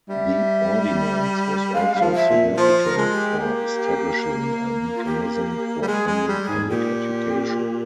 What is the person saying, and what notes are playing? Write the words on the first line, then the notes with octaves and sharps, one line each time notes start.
The ordinance was also significant for establishing a mechanism for funding public education.
G3 E5
G#3 F5
G3
F3
E5
A#2
F3 C5
A#4
G#3
G4
A#3
F4
G4
G3
G#3 G#4
G#3
G#4
G3
G#4
G#2
A#2 G4